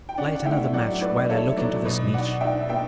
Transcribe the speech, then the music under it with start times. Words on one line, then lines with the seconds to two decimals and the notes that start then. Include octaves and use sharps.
Light another match while I look into this niche.
0.09 G5
0.18 C#4 D5 F#5
0.35 F#5
0.45 A2 E5 G5
0.73 F#3 D5 F#5
1.01 A2 B4 D5
1.29 E4 A4 C#5
1.57 F#3 B4 D5
1.85 B2 B4 D5
2.13 D4 D5 F#5
2.41 D4 E5 G5
2.69 B3 E5 G5